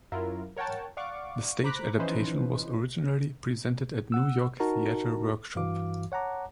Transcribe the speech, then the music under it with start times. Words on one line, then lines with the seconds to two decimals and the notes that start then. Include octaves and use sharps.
The stage adaptation was originally presented at New York Theatre Workshop.
0.12 F#2 F#3 E4 F4 A#4
0.56 A#4 C#5 F#5 G5 A5
0.97 D5 F5 F#5 C#6 D6
1.63 C5 A#5 B5 D6 F#6 B6
1.99 E3 F3 C#4 D#4 B4 C5
4.12 F#5 E6
4.60 D#4 F#4 A#4 A5 A#5
5.55 G2 E3 F#4 F5 D6
6.12 C#5 F#5 A5 A#5 D6